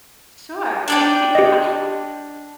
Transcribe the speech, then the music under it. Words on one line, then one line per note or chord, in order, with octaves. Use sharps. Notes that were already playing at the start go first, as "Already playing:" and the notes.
Sure. Yeah,
D4 D5 G5
G4 D#5